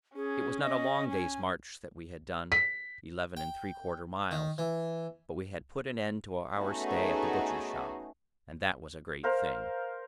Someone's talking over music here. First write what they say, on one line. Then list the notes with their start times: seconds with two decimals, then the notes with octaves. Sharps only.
It was not a long day's march that we had done -- eleven and three-quarter miles -- but we had put an end to our stay at the Butcher's Shop, and that was a great thing.
0.16 C#4 G#4
0.61 D#5
1.10 G#5
2.52 B6
3.37 G5
4.31 D#3
4.58 E3
6.57 A3 B3 C#4 D#4 F#4 G#4
9.23 A#4 C5 F5